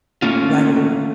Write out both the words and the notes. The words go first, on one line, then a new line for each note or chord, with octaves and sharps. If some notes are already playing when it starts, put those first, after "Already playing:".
La Llorona.
A3 A#3 C#4 F4